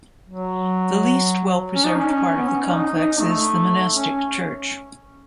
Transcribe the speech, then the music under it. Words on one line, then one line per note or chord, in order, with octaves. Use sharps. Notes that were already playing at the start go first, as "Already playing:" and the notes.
The least well-preserved part of the complex is the monastic church.
F#3
C#4
D#4
C#4
B3
C#4
D#4
D#4
A3
C#4